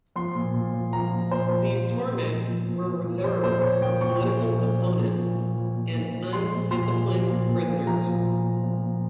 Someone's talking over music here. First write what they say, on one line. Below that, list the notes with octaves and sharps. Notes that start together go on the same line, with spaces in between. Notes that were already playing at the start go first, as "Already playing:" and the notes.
These torments were reserved for political opponents and undisciplined prisoners.
F3 C6
A#2
A#2
F3
F3 A#5
A#2
A#2 C5
F3
F3
A#2
A#2
F3
F3
A#2
A#2
F3
C#5
F3 C5
A#2 C5
A#2 C#5
F3 G5
F3 C#6
A#2
A#2
F3
F3
A#2
A#2
F3
F3
A#2
A#2
F3
F3 C6
A#2
A#2 C6
F3
F3
A#2
A#2
F3
F3 A#5
A#2
A#2
F3
F3
A#2